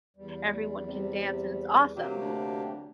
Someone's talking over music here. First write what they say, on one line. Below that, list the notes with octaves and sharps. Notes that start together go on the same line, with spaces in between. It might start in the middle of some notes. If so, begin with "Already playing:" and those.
everyone can dance, and it's awesome.
E2 G3
C3
C3 F#3 A#3 G4
D2 F#3 D4